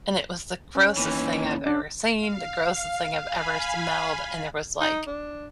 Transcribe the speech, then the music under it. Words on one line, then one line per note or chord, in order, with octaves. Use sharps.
and it was the grossest thing I've ever seen, the grossest thing I've ever smelled, and there was, like
C#4
D#2 E3
D4
F5
F5 G#5 B5
D#4
D4